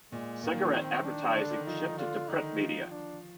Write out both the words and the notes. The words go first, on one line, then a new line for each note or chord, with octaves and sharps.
Cigarette advertising shifted to print media.
A#2 G#3
A#2 A#3
D#3
F3
D#3 C4
D4
D3
D#3
F3 D#4
D3 F4
D#3 D#4
F3
D4